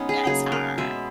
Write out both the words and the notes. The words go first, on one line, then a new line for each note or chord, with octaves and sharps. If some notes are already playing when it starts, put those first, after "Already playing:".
That's hard.
Already playing: G#3 B3 C#4 D#4
G#4
C#3 F#3 A#3 G#4
A#4
B2 G#3 B3 E5